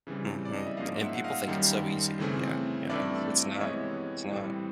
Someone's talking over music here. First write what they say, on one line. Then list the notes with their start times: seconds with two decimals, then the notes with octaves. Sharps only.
Mhm, and people think it's so easy yeah, yeah, it's it's not, it's not.
0.07 C#3 E3 G3 C4
0.45 D5
0.56 D#5
0.66 E5
0.77 G#2 F3 A#3 C#4 D#5 F5
1.00 E5 F#5
1.16 F#5
1.24 D#5 F5
1.48 F#2 D#3 G3
2.19 C#3 E3 A3 C4
2.89 G2 E3 A3 C4 D5 E5
3.55 E5
3.60 C3 E3 G#3 B3 C#5 D#5
4.31 A2 E3 G3 C4